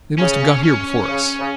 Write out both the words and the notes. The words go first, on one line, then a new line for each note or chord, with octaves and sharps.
"They must have got here before us."
C#3 C#4
C#4
C#3
C#3